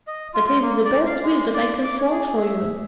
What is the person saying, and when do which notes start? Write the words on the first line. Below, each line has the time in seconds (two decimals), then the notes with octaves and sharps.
That is the best wish that I can form for you.
0.07 D#5
0.34 F4
0.46 F4
0.62 A#3
0.85 D5
1.07 F5
1.23 G#3
1.54 D5
1.84 D6
1.98 C#5
2.11 G#4
2.41 E5